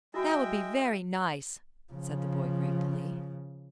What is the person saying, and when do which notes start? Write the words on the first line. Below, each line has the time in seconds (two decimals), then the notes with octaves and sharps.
"That will be very nice," said the boy, gratefully.
0.14 G#3 E4 F#4 D#5 E5 G5
1.93 C#3 F3